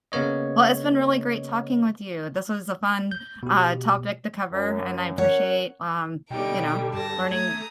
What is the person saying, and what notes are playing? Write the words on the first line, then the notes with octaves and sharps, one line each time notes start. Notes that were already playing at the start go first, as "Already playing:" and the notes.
Well, it's been really great talking with you. This was a fun, uh, topic to cover, and I appreciate, um, you know, learning
C#3 A#3 B3 C#5 D#5
G6
B2 G4
F#2
C#4 A#4 C#5 F#5
B2 D3 G3 D#4 G5 D7
G2 A5 A#6
A3 A#5 D#6 G#6